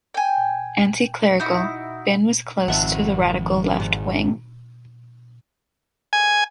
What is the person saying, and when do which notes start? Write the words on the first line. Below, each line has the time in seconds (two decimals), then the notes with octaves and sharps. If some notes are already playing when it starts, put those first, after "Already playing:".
Anticlerical, Bin was close to the radical left wing.
0.14 G5 G#5
1.40 D#4 E4 F#4
2.68 G#1 F2 F3 E5 F#5 A5
3.80 C2 G#2
6.13 G#5